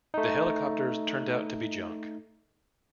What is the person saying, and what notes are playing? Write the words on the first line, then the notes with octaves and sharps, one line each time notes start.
The helicopters turned out to be junk.
A3 D#4